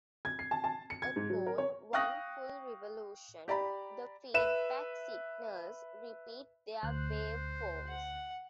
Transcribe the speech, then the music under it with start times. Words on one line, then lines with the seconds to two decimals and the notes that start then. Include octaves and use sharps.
Upon one full revolution, the feedback signals repeat their waveforms.
0.25 G#6
0.39 C7
0.51 A5
0.64 A5
0.90 C#7
1.02 G#6
1.16 G#2
1.30 F#3
1.47 A#4
1.58 C#5
1.93 F5 G5 C#6 D#6 F#6 A#6
3.48 G4 D5 A#5 B5
4.34 B4 E5 E7
6.83 D2 C5 F#6
7.88 F#5